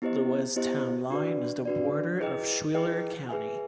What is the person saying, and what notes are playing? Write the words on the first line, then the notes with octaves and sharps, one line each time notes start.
The west town line is the border of Schuyler County.
B3 E4 G4 C5 D#5
B3 E4 G4 C5 D#5
D4 F#4 B4 D5
D4 F#4 B4 D5
E4 G#4 B4 D#5 G5
E4 G#4 B4 D#5 G5
G#4 B4 E5 G#5